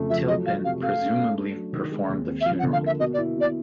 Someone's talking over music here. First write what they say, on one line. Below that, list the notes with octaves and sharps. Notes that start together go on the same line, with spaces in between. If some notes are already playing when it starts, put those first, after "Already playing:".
Tilpin presumably performed the funeral.
Already playing: F2 C#3 A3
F3 E5
F#3 D#5
F#3 F5
C3 F5
A3 F5
C#4
A3
D4
F#3
D#3
G#3
D#2
C4
E5
F3 F5
F#5
D3
F5
A#3 E5
B2 D#5
D5
E4
B2 D5